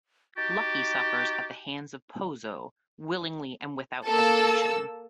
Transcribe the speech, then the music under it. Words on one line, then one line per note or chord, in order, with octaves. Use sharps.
Lucky suffers at the hands of Pozzo willingly and without hesitation.
D#4 F#4 G4 A6
A#3 A4 E6